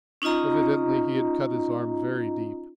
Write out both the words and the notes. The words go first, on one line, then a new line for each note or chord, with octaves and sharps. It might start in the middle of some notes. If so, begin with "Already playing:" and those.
Evidently he had cut his arm very deep.
C#4 D#4 F4 D#5 A#5